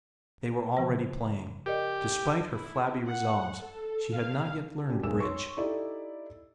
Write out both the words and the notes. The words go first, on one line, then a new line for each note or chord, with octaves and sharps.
They were already playing. Despite her flabby resolves she had not yet learned bridge.
C#3 F3 C5
G4 A#4 D5 D#5
E4
F#5
A4
F5
C#4 D4 F#4 G4
B1 G#3 A#4 E6 E7
C#5 C6 C#6
D#4 E4 G4 A4 D5